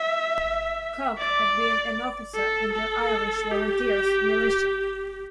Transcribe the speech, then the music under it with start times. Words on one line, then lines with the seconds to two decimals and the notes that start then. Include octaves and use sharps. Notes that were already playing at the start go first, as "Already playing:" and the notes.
Cooke had been an officer in the Irish Volunteers militia.
Already playing: E5
1.18 D5
2.35 A4
2.73 A4
3.52 G4